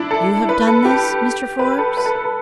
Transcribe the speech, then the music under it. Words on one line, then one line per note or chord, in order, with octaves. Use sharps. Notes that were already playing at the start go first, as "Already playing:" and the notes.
"You have done this, Mr. Forbes?"
Already playing: D4 E4
A4
B4
A4
G4
B4
A4
B4
A4
B4
A4